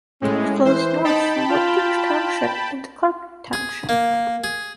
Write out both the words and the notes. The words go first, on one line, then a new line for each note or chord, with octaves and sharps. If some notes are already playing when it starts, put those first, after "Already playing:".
It flows north from Woodbridge Township into Clark Township.
A2 G#3 C#4
E3 C5
D#4 G5 A5 B5
F4
G#4
A#3
G#4